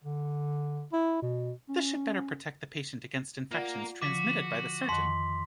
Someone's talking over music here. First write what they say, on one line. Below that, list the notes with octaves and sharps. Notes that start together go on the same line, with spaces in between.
This should better protect the patient against infections transmitted by the surgeon.
D3
E4
B2
C#4
A#3 F4 D5 F#5
D3 F3 F#4 D6 B6
F2 D#3 C6 B6